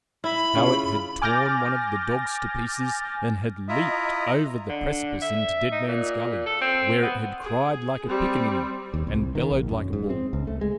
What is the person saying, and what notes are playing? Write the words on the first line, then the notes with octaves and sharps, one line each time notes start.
How it had torn one of the dogs to pieces, and had leaped over the precipice into Dead Man's Gully, where it had cried like a picaninny, and bellowed like a bull.
E4 B5
C#3 C#4 F4
G#5 D6 F6 G6 A6 A#6
E4 F4 D#5 E5 A#5 D#6
D3
E5
D#4
A#2
A4
C4
B3
G#4
G3 C4
D#2
C2
D#3
A#1
F#2
G#2
C4
C#2
A3
G#3